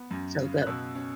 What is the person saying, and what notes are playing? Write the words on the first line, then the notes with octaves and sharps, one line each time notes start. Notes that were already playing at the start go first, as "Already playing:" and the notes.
So good.
Already playing: B3
F#2
C#3
F#6
B2 E6
C#4